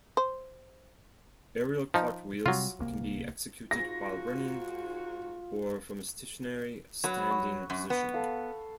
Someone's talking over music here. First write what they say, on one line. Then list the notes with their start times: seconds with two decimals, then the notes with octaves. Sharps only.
Aerial cartwheels can be executed while running or from a stationary, standing position.
0.17 C5
1.94 F3 D#4
2.46 C3 F#3 G3 F4
2.79 D1 C2 A#3
3.71 G#2 F4 F#4 A#6
7.04 F#3 B4 B5 D#6
7.31 C#6
7.70 F#2
7.90 B3
8.14 A4 F5